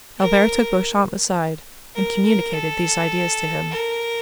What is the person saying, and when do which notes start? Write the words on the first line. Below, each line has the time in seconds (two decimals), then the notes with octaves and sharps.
Albert took Beauchamp aside, and communicated these ideas to him.
0.19 A#4
1.95 A#4
2.25 A#4
2.53 A4
3.70 A#4